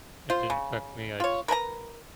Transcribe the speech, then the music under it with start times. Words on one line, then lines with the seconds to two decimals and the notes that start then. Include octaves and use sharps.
it didn't affect me, I just,
0.30 F4 C5
0.50 C#3
1.20 F4 C#5
1.48 A#4 B4 G#5 A#5